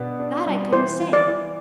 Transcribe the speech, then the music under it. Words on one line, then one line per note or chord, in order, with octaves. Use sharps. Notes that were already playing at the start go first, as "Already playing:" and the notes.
"That I couldn't say."
Already playing: B2 B3 D4
D4
G3
E3 C5
E3
D5
E3